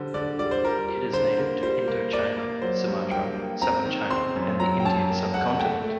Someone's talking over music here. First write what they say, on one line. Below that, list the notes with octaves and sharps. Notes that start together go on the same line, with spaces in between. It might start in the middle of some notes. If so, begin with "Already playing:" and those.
It is native to Indochina, Sumatra, southern China, and the Indian Subcontinent.
Already playing: D3 G3 C5
D3 D5
G3 D5
C5
G3 A#4
G3
D3 C5
A#3
G3 C5
A#3
A#3 D5
A#3
F#3 C5
G2
A#3 G5
A#3
C4 A#5
D#3
C4 C6
F#2
F#3 A#5
G5
F#2 A5
A#3
A#3 F#5
A3 G5
A3